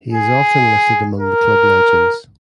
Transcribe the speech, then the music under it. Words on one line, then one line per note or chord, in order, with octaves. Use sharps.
He is often listed among the club legends.
G#4
A#4